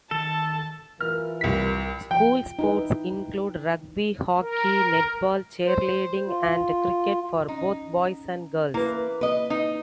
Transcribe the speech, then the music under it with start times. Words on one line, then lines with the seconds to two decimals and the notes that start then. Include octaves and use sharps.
School sports include rugby, hockey, netball, cheerleading and cricket for both boys and girls.
0.11 D#3 A4 A5
1.00 E3 F4 A#4 F6
1.41 C2 B6
2.11 F3 G5
2.59 D#4 E4 B4
4.42 A#4
5.66 C5
6.28 F4
7.48 C#4 D#4
8.74 A#3 E4 B4
9.21 A#3 B4 D#5
9.50 D#4